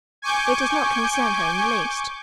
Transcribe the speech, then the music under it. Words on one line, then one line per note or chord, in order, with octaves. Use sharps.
It does not concern her in the least.
G#5 C#6 D6 G6